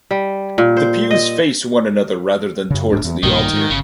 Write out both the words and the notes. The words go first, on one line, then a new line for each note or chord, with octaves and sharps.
The pews face one another rather than towards the altar.
G3
A#2
C5
D#5
F#2 C#3
D#1 G#2 D4
E2
B1 G2 A#2 D#3
G#2
G1 C#3